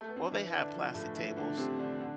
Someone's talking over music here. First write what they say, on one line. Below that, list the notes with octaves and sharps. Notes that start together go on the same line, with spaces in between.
Well, they have plastic tables,
A3
B3
C4
D4
E3 E4
D3 D4
F3
A2 A3
E3 E4
D3 D4
D4
C3 C4
D3 D4
D3 D4